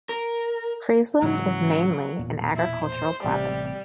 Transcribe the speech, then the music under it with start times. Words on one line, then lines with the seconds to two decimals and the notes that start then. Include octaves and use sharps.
Friesland is mainly an agricultural province.
0.09 A#4
1.22 G#2 C#3 E3 F#3
2.19 E1 A#2
2.57 E4
2.85 C5
3.24 A1 C3 G3